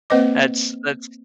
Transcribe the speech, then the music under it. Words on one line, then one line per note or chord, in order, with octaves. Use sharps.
That's that's,
A#3 C4 B4 C5 D#5 D6